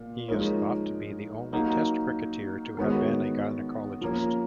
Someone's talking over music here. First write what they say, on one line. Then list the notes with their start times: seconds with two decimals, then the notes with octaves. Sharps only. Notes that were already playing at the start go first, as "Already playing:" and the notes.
He is thought to be the only Test cricketer to have been a gynaecologist.
Already playing: A#2
0.28 F3 G#3 D#4 A#4 C#5
1.53 F#3 A#3 D#4
2.78 D#3 G#3 B3 F#4 C#5
4.01 F3 A#3 C#4